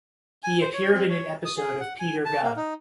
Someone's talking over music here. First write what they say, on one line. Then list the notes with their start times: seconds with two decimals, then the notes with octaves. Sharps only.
He appeared in an episode of Peter Gunn.
0.44 G#5
0.61 C5
0.74 C#5
0.94 C4
1.10 C#5
1.45 D#6
1.57 G#4
1.80 F#5
2.00 G#5
2.25 A5
2.43 A#3
2.57 D#4